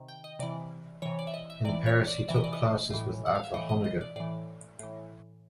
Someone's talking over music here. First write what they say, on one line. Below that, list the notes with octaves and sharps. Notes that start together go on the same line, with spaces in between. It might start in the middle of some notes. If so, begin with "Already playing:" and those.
In Paris he took classes with Arthur Honegger.
Already playing: C3 D#3
G5
D#5
C3 E3 D5
C3 E3 C#5
D5
E5
D#5
E5
C3 E3 D5
C#5
D5
C3 E3 E5
D#5
D5
D#5
A2 E3
F#5
F5
E5
A2 E3 D#5
D#5
D#5
D5
A2 E3 D5
A2 E3